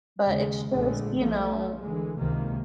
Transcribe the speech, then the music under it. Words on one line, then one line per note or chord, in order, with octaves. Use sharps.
But it's just, you know,
D#2 C#3 G#3
A#1 D3 G#3 A3
B1 F3 A3
D3 E3 G#3
C#2 C3 D#3 A#3